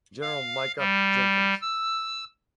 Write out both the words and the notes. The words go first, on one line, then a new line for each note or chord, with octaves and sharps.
General Micah Jenkins.
F5
G3
E6